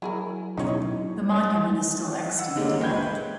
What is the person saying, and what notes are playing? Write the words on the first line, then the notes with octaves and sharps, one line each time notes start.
The monument is still extant.
F#3 E4 G#4 A#4
D2 B2 G#3 C#4 D#4 E4 C#5
F#5 E6
D3 D#3 G3 G#3 A#3 C#4
F#1 C#2 G5 B5 G6 G#6
B4